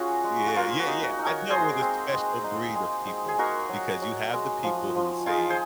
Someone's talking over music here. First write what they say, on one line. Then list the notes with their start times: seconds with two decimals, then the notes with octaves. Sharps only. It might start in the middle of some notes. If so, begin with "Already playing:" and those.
Yeah. Yeah. Yeah. I deal with a special breed of people because you have the people who say
Already playing: C#4 F4 F#4 G#4
0.24 G#3
0.48 F#4
0.56 A#3 F4
0.79 F#4
0.87 D#4
1.03 F#4
1.19 D#4
1.26 A#4 C#5
1.50 G#3 G#4 C5
1.81 C4
2.13 G#3
2.44 D#4
2.76 G#3
3.07 G#3
3.28 G#4
3.38 D#4 F#4 A#4
3.69 F#3
4.02 F#3
4.33 G#3
4.64 F3
4.95 F3
5.26 D#4 F4 G#4
5.50 G#4 C5